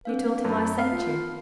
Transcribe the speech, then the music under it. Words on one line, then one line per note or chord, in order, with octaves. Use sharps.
'You told him I sent you?'
C4 D4 B4 F5
F#2 A3 A5 B5
F5
F4